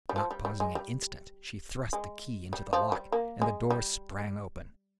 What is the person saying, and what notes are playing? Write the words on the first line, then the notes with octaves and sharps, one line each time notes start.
Not pausing an instant, she thrust the key into the lock, and the door sprang open.
G3
F3
G3
G3
G#3
G3
G#3
G3
F3
G3
A#3
G#3
G3